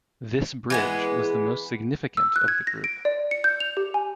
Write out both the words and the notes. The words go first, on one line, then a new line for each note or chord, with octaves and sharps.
This bridge was the most significant of the group.
E3 G#3 B3
E6
F#6
G#6
A#6
D7
D5
C#7
G6
F7
G4
G#5